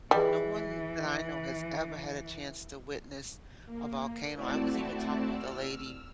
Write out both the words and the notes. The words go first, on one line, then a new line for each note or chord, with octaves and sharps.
No one that I know has ever had a chance to witness a volcano. I was even talking with a lady
E3 G3 G#4 B4 D#5
A#3
A3 C4 E4 F#4 D5 A5
E6 F6